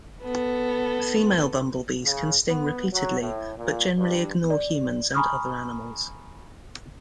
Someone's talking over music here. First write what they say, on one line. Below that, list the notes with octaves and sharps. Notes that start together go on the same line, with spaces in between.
Female bumblebees can sting repeatedly, but generally ignore humans and other animals.
B3 A4
C#3
B3
F#3
A2
A#2
G2
D5
G#5 A#5 B5 C#6 D#6 F6